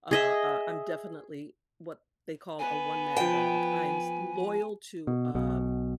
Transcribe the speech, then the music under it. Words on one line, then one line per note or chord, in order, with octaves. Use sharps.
uh, uh, I'm definitely what they call a one-man dog, I am s loyal to, um,
G#4 D#5 E5
B3 B4 G#5
F3 G5
B2
B1 B2